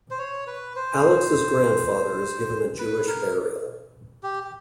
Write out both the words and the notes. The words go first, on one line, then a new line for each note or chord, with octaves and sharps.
Alex's grandfather is given a Jewish burial.
C5
C#5
B4
C5
B4
A#4
G4
G4